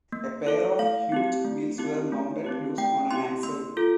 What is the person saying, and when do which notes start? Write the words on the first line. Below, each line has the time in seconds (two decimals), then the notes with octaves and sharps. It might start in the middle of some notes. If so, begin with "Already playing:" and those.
A pair of huge wheels were mounted loose on an axle.
0.12 A#3
0.47 E4 A4
0.79 A3 F5
1.12 C4 E4 G4
1.45 A3
1.78 C4 E4 G4
2.12 A3
2.44 C4 E4 G4
2.78 A3 G5
3.11 C4 E4 G4 C6
3.43 A#3 C6
3.77 F4 A4